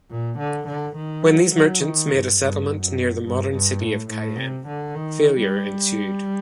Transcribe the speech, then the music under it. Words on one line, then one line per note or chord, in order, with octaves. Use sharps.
When these merchants made a settlement near the modern city of Cayenne, failure ensued.
A#2
D3
D3
D#3
F#3
F#3
D#3
G2
G2
F#2
G2
G2
A2
A2
C3
D3
D#3
G3